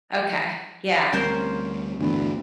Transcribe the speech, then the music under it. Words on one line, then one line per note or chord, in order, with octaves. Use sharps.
Okay. Yeah.
D2 G3 C4 C#4 A#4 C5
G1 D2 E3 B3